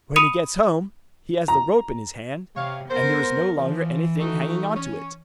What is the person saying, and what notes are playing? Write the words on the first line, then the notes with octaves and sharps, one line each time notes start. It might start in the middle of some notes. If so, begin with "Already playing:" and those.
When he gets home, he has the rope in his hand, and there is no longer anything hanging on to it.
B5 D#6 C#7 D#7 F7
A#5
C3 C#5 F5
B3 A#4 C5
E3 F3
A3 D#4 F#4
C#4